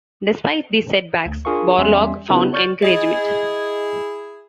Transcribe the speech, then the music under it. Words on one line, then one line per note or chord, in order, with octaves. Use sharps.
Despite these setbacks, Borlaug found encouragement.
D2
D4 F4 G#4 A#4 F5 C#6
E2 G3 C#4 E5 G#5 C6
C#3 B3 D4 E4 F#4
C#5 D5 C#6 F6 G6 A6
E4 G#4 D#5